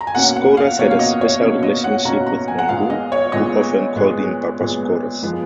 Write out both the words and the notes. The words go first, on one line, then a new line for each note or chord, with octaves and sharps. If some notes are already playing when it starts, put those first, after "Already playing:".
Skouras had a special relationship with Monroe, who often called him "Papa Skouras".
A#5
G#5
B2 A#3 C#4 F#5
F#5
F5
B2 A#3 C#4 C#5
F5
D#5
C#5
B2 A#3 C#4
D#5
F#5
B2 A#3 C#4 A#5
A#5
G#5
F#5
A#2 G#3 B3 F5
D#5
C#5
A#2 G#3 B3 D#5
A#2 G#3 B3
A#2 G#3 B3
F3 G#3 B3